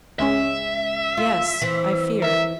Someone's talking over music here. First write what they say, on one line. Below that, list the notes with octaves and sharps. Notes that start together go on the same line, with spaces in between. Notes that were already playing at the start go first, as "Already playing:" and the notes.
"Yes,--I fear."
C#2 G#3 C#4 E5
F4
E3 C4
A#4 E5